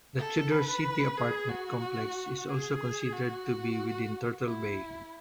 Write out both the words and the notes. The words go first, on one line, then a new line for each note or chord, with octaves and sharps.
The Tudor City apartment complex is also considered to be within Turtle Bay.
A4
B4
G#4
F#4
G#4
F#4
E4